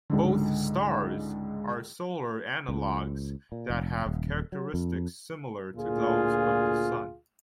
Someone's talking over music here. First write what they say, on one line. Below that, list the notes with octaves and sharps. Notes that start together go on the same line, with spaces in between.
Both stars are solar analogs that have characteristics similar to those of the Sun.
C#2 G#2 D3
C#2
A#2
F1
D#1
F#3
F2
D2 A#2 F4 G#4